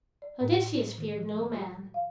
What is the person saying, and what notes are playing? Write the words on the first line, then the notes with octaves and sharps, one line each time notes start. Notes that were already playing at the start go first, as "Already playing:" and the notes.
Odysseus feared no man.
D5
A2
C5
D#3
F3
A4
F#4
F5